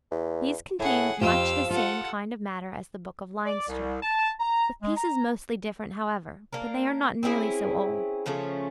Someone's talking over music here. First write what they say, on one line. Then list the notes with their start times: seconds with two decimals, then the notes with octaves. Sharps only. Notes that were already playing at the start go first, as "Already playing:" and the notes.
These contain much the same kind of matter as the Book of Leinster--with pieces mostly different however--but they are not nearly so old.
0.11 E2
0.80 A2 G#4 F#5
1.21 F2 F3 F4 G4 F5 E6
1.70 F4 A4 F#5
3.46 D5
3.68 C2
4.02 A5
4.40 A#5
4.82 G#3
4.96 A#5
6.53 A#3 D4 A#4
7.23 C4 C#4 E4 G#4
8.26 C#3 F3 A3 C#4